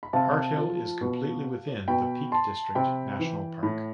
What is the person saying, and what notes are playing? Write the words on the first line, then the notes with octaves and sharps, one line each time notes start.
Harthill is completely within the Peak District National Park.
B5
C3 F5 A5
F3
B2
B2 G5 B5
A5 C6
C3 G5 B5
E3
A2